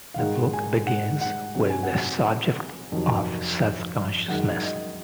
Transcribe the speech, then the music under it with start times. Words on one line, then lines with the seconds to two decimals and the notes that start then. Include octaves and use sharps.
The book begins with the subject of self-consciousness.
0.14 F5
0.18 G#2 D#3 G#3 F#5
0.53 G#5
0.87 F#5
1.21 F#5
1.55 C3 F#3 F#5
1.70 G#5
1.83 F#5
2.24 F#5
2.92 F2 C3 D#3 F#3
4.28 F#2 D#3 G#3 F#5
4.63 D#5